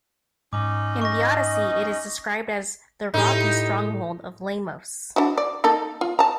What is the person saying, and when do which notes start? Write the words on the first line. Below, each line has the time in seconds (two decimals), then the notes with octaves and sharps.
In the "Odyssey", it is described as the rocky stronghold of Lamos.
0.53 G#2 C#4 D#4 D6
1.01 D#5 C#6 A#6
3.14 A2 D#4 G4
5.16 D4 E4 F#4
5.38 D5
5.64 A#3 D#4 A4
6.01 F4
6.19 A5 A#5